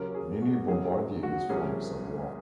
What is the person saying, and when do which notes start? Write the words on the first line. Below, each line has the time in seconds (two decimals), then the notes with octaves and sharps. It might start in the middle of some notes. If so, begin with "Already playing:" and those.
Nini Bombardier is from Savoie.
Already playing: D#2 C#3 F#3 C#4 A#4
0.15 G#4
0.42 F#4
0.68 F#2 C#3 F#3 C#4 G#4
1.23 F#4
1.49 C2 A#2 F3 A#3 C#4 G#4